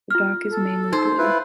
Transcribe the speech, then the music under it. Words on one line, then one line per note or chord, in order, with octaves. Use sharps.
The back is mainly blue.
F4 F6
A4
D#4 C5
E4 F4 B4